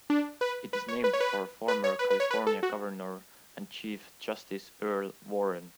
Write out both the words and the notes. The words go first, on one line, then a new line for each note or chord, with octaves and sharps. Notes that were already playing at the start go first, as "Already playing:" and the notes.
It is named for former California Governor and Chief Justice Earl Warren.
D4
B4
B4
C#5
B4
C#5
B4
B4
C#5
B4
B4
C#5
B4
A4
F#4